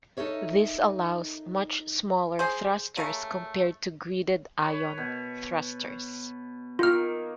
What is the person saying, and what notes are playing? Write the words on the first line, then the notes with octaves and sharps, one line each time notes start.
This allows much smaller thrusters compared to gridded ion thrusters.
D#4 A4 A#4 C#5 E5
G#4 C5
C#3 A3 A#4
B4 C#5
B2
D#3 A#3 F4 F6